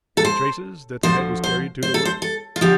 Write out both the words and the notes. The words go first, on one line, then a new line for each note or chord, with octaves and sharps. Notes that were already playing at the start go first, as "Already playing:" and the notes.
"Any traces that the head was carried to the wood?"
A4
C5
D2 D3 F3 C5
C5
C5
A4
C5
A4
F4
D3 F3 G4